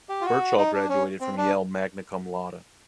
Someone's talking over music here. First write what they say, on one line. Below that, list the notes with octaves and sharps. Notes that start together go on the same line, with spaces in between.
Birchall graduated from Yale "magna cum laude".
G4
F4
F#4
D#4
D4
C#4
C4
D4